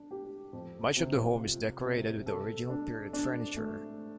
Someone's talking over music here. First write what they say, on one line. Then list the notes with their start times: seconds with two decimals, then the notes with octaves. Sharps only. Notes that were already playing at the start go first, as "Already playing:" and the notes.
Much of the home is decorated with original period furniture.
Already playing: D4
0.11 G4
0.53 F2
0.97 C3
1.40 F4
1.83 C3
2.26 A4
2.70 D4
3.13 D4
3.56 A3